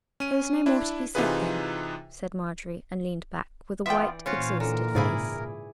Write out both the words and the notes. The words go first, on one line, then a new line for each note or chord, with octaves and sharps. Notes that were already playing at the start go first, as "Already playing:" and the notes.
"There is no more to be said, then," said Marjorie, and leaned back, with a white, exhausted face.
C#4 D#7
D4 E4
C3 E3 D#4 F4 G#4 B4
E3 B3 F4 D5 E5 G5
A#2 E3 C#4 F4 F#4 C5 C#5 F5
D3 A#4
G#2 C#3 E4 G#4 D5